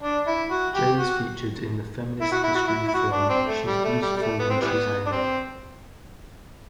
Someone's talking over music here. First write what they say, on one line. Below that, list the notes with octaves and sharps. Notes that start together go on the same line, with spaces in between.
Jay is featured in the feminist history film "She's Beautiful When She's Angry".
D4
E4
F#4
G4
F#4
E4
F#4
E4
F#4
E4
E4
F#4
D4
C4
A3
G3
A3
G3
G3
A3
B3
C4
E3 G3 B3
D4
C4